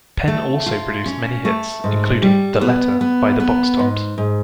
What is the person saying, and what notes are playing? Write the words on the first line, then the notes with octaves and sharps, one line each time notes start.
Penn also produced many hits, including "The Letter", by the Box Tops.
A3
F4
C#4
A3
G#2
G3
B3
B3
B3
G#2
G#2